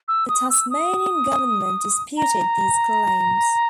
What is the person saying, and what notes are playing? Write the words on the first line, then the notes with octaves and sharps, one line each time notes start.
The Tasmanian government disputed these claims.
E6
D#6
E6
D#6
A#5